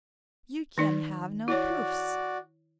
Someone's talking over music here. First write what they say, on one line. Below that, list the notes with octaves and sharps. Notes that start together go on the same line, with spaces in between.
You can have no proofs.
D#3 D#4 D5
E4 F#4 C#5 D5